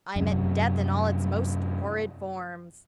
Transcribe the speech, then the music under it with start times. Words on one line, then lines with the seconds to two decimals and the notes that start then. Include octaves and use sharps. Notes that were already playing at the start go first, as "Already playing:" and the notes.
I met death in all its most horrid forms.
0.16 F#2 C3